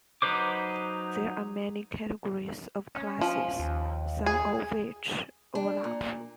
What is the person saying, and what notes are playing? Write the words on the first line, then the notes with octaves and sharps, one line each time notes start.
There are many categories of classes, some of which overlap.
F#3 D#4 B4 C5 D6
C#4
F3
D#2
G#4
D4
A#2